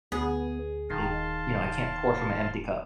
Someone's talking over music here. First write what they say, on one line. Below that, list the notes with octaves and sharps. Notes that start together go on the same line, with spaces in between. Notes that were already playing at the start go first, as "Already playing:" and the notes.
it, you know I can't pour from a empty cup.
D2 B3 G#4
D#1 D#3 F5 A5 C6